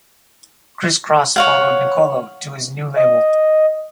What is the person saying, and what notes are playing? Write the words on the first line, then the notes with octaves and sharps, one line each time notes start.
Kris Kross followed Nicolo to his new label.
C#5 F5 F#5
D#5